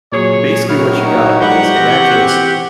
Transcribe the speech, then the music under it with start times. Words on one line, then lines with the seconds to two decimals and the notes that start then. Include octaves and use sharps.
basically what you got is, in that case,
0.12 A#2 F#3 G#4 C#5
0.69 D#3 E4 F#4 C#5 F6
1.05 D#4 C#5
1.41 F3 G3 D#4 G4 F#5 C#6 G6
1.76 E3 C4 A#6